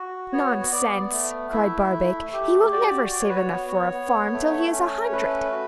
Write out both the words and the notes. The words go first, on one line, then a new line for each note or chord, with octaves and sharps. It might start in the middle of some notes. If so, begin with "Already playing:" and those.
'Nonsense,' cried Barbaik, 'he will never save enough for a farm till he is a hundred.
Already playing: F#4
B3 C#5
B3 D5
A3
E4 E5
A3
G4
F#4 D5
F#4 D5
C#5
B4
C#5
B3
B3
A3
C#4
C#5
A3 B4
F#4